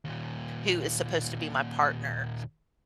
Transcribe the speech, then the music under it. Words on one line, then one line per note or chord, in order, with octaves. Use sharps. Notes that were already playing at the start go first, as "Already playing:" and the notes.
who is supposed to be my partner
D#2 A#2